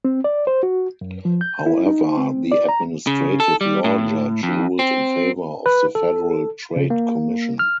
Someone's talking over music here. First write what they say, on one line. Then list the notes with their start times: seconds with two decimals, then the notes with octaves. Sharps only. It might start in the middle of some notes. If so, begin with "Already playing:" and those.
However, the Administrative Law Judge ruled in favor of the Federal Trade Commission.
0.05 C4
0.24 D5
0.47 C5
0.63 F#4
1.01 F#2
1.25 F3
1.41 G6
1.66 E4
1.86 D#4
2.17 C4
2.52 D5
2.69 A#5
3.07 C#3
3.40 A4
3.61 G3
3.84 A2
4.43 F2
4.79 C4
5.66 B4
5.95 A4
6.76 C#3
6.90 A#3
7.59 F6